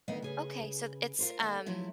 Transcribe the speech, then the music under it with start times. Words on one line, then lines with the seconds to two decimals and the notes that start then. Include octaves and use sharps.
Okay, so it's, um
0.08 D2 D#3 A3 B3 D#5 F5
0.22 C#3 G#4 B4
1.19 F4 A#4 C5
1.41 D#2 A4 F#5
1.66 F3 F#3 A3 E4